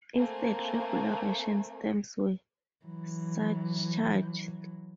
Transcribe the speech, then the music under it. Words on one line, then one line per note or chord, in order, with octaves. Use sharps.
Instead, regular Russian stamps were surcharged.
A3 A#3 C4 G#5
E3 F#3